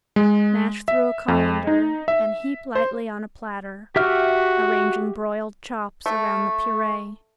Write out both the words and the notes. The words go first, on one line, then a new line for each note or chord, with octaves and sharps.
Mash through a colander and heap lightly on a platter, arranging broiled chops around the puree.
G#3
E5
F2
D#4
E5
C5
F#4 G4 E5 F6
A3